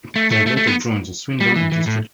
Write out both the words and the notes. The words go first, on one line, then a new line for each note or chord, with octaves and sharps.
They later joined the Swindon and District League.
A3
A3
A3
A3
B3
G3
E3
E3
A2